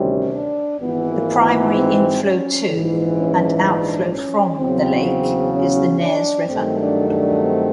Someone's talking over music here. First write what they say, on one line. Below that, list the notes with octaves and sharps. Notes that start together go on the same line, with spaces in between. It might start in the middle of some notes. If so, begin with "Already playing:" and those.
The primary inflow to and outflow from the lake is the Nares River.
Already playing: D2 C3 D#3 G3 C#4
D4
G#1 G#2 E3 B3
A#3
B3
C4
C#4
A#1 G#2 E3
C#4
D4
C#4
E2 C#3 F#3 C4
C4
C#4
D4
G2 D#3 F#3 A3 C4
D4
D4
C4